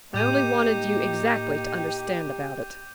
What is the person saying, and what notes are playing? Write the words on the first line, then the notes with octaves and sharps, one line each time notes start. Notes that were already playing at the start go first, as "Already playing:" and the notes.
I only wanted you exactly to understand about it.'
A2 A#3 D#4 G4 D6 G6 D#7